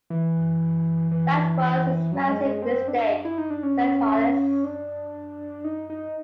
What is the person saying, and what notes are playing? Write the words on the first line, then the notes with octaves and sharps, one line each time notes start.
"That was a massive mistake," said Hollis.
E3
E3
F#3
G#3
G#3
C4
D4
E4
D#4
D4
C#4
D4
D#4
D#4